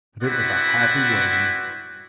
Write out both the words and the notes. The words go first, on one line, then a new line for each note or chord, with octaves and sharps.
But it was a happy waiting.
C4 E4 F#4 B4 D5 F#5